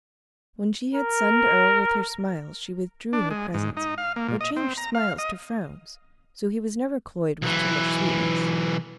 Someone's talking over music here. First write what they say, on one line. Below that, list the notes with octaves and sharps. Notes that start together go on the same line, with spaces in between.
When she had sunned Earle with her smiles she withdrew her presence, or changed smiles to frowns; so he was never cloyed with too much sweetness.
A#4
D4
G#3
G#2
D#4
F5
A#3
A#2
D#5
C4
A#5
F5
D#5
B1 E3